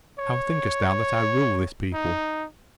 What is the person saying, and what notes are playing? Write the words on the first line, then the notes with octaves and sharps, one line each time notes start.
How thinkest thou that I rule this people?
C#5
D#4